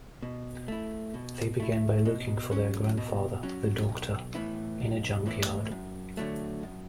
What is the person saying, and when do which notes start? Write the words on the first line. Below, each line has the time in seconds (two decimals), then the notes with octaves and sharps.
They began by looking for their grandfather, the Doctor, in a junkyard.
0.23 B2
0.68 A3 E4
1.14 B2
1.60 A3 E4
2.05 B2
2.51 F#3 C#4
2.97 B2
3.43 F#3 C#4
3.89 B1
4.34 A2 E3 B3 E4
4.80 B1
5.26 A2 E3 B3 E4
5.71 F#2
6.17 D3 F#3 A3
6.63 F#2